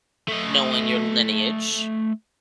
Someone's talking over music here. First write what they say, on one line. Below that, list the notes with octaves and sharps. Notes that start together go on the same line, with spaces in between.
knowing your lineage,
A3 D#5